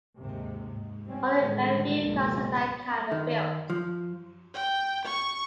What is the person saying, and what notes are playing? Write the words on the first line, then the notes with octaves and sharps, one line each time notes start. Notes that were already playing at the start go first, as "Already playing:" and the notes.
Only very few cars of that kind were built.
D#2 G#2 C3
G#2
G3 C4 C#4
A2 D3 D#3 G3 G#3
G#1 C#2 B2 F3 G#3 A#3
D#3
F3
G5
C#6